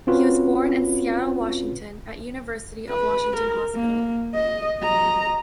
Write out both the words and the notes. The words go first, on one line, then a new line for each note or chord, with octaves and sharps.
He was born in Seattle, Washington, at University of Washington hospital.
C4 C#4 F4 F#4 B4 C#5
B4
A#4
A#3
D#5
D#5 A#5